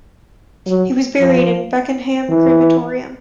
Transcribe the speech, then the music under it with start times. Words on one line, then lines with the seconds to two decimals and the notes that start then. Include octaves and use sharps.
He was buried in Beckenham Crematorium.
0.67 F#3
1.21 F3
2.29 E3